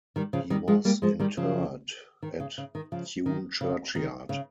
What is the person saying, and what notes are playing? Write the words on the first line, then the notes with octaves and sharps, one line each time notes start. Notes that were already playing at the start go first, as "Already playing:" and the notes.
He was interred at Tune churchyard.
D#3 G3
C#3 F3
D#3 G3
F3 G#3
G3 A#3
F3 G#3
D#3 G3
C#3 F3
D#3
C#3
C#3
D#3
C#3 F3
D#3
C#3
D#3
C#3